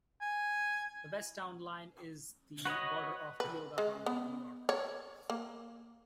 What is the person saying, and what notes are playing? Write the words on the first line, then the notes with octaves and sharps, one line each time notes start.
The west town line is the border of Tioga County, New York.
G#5
F#4 B4 C#5 D#5
B4
G#3
B3
C#5
A#3